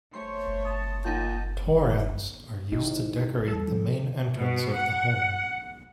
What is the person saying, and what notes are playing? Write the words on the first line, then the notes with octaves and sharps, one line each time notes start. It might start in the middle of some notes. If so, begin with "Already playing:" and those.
Torans are used to decorate the main entrance of the home.
A3 C5 C#5 C6
A5 D#6
A#2 D#4 F#5 A5 G6
G#1 D#4 E4 G4
E2 G3 A4
C3 F3
B2
F#5